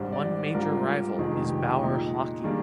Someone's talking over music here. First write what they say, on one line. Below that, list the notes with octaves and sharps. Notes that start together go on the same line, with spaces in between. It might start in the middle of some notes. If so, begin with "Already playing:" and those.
One major rival is Bauer Hockey.
Already playing: G#1 G#2 G3 D4 C5
D5
G#2 G3 D4 F4 A#4
F1 F2 D#3 G#3 G#4
G4
A#2 G#3 D#4
D#3 G3 A#3 D4 G#4